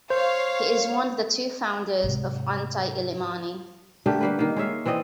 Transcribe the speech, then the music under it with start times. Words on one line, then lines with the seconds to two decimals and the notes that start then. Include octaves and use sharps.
He is one of the two founders of Inti-Illimani.
0.10 C5 C#5 F5
2.03 G#2 C3
4.06 D3 A3 G4 A#4
4.21 G3 A#3 B4
4.39 D#3 A#3
4.56 G#3 C#5 E5 F5
4.85 E3 C4 D5 D#5